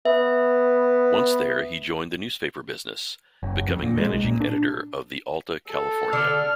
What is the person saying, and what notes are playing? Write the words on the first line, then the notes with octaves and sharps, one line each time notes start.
Once there he joined the newspaper business, becoming managing editor of the "Alta California".
B3 E5
F#1
F2
A#2
G#3
B1
A#2
D4
A4
D3 F6